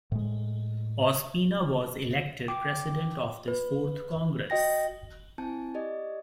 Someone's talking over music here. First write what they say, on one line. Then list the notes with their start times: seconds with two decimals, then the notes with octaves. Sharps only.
Ospina was elected President of this Fourth Congress.
0.12 A2 G#3
2.48 G5 D6
3.48 B4
4.50 F#4 D#5 G5 A#6
5.38 C4 E4 G#5 A5 G6
5.74 G4 D5 D#5